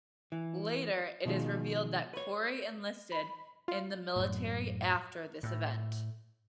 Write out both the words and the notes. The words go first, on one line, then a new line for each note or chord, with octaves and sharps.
Later, it is revealed that Cory enlisted in the military after this event.
E3
B2 D#3 F3 G#3
B4 C#5
B5
F4
F#2 A2
A2